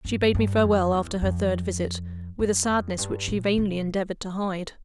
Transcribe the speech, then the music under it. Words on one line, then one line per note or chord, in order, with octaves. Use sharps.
She bade me farewell after her third visit, with a sadness which she vainly endeavoured to hide.
G2
G2
F2
E2
F2
F#2
F2
G2
A#2
B2